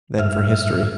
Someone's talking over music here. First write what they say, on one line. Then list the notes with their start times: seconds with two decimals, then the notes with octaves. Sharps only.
than for history.
0.19 G2 E5 F6